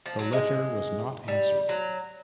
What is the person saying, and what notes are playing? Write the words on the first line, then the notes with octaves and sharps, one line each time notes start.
The letter was not answered.
F3
F#3
G#3
G3
F#3